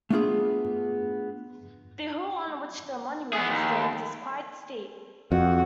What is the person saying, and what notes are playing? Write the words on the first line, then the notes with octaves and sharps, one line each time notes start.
The hill on which the monument stands is quite steep.
A3 B3 D4 F4 G#4
B3 G#4
D#2
F2 F#4